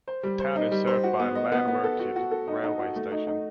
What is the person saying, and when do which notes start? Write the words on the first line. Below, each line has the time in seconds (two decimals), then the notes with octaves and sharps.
The town is served by Llanwrtyd railway station.
0.08 C5
0.23 G3
0.40 C5
0.56 D#4
0.72 G3
0.87 C5
1.04 F#4
1.19 B3
1.35 D#5
1.52 B3
1.68 B3
1.84 A4
2.00 F#4
2.16 F#4
2.31 A4
2.48 D#4
2.64 D#4
2.79 F#4
2.96 A3
3.12 D#4
3.27 D#4